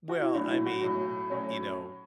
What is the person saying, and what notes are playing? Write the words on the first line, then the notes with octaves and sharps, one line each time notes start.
Well, I mean, you know.
F#4
E4
B1 A2 F#3 D4
E4
F#4
B1 A2 F#3 F#4
A2 F#3 C#4